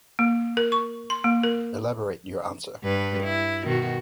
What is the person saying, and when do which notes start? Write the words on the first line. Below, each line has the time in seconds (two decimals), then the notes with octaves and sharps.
Elaborate your answer.
0.19 A#3
0.57 A#4
0.72 C#6
1.10 C6
1.24 A#3
1.43 A#4
2.84 G2 B4
3.23 E4
3.65 B2 D#3 F#4